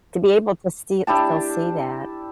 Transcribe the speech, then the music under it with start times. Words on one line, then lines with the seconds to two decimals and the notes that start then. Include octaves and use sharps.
to be able to sti still see that.
1.07 D4 E4 G4 A5